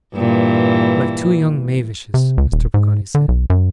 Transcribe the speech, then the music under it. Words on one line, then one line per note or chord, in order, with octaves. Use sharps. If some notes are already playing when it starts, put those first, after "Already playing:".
'Like two young mavishes,' Mr. Peggotty said.
G2 A#2 E3
C3
C#2
D#1
G#2
D3
B1
F#2